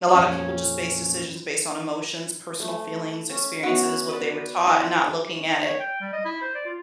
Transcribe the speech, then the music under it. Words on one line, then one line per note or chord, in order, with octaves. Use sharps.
a lotta people just base decisions based on emotions, personal feelings, experiences, what they were taught, and not looking at it,
F2 A#2 C#4
A3
C#4
B3 C#4 F#4 E5
B4 D5
E4 C5 D#5
C#5
G5
G3
D#5
E4
C5
D5
F4